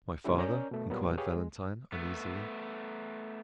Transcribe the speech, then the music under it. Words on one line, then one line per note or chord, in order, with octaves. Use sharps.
"My father?" inquired Valentine, uneasily.
A#2 D3 G3 C#4 E4 G4
C#4 A#4 C#5 D5 A#5 G6
B2 A3
A#2 F#3 G3 A#3 B3
G4 G#4 B4 C#5 F5
G#3
A3 B3